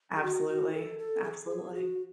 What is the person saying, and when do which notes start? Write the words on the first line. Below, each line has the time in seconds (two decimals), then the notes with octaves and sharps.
Absolutely. Absolutely.
0.16 G#4
0.23 F#4
0.47 F#4
0.74 A4
0.99 A4
1.24 G#4
1.50 G#4
1.75 F#4